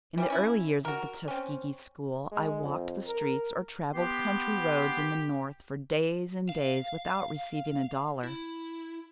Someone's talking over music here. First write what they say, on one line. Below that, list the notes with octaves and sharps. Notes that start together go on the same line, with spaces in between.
In the early years of the Tuskegee school I walked the streets or travelled country roads in the North for days and days without receiving a dollar.
E3 G3
C#4 E4
F#4 A#4
C4 C#4
G#3
F2
A#4
B3 G4 C6
F5
E4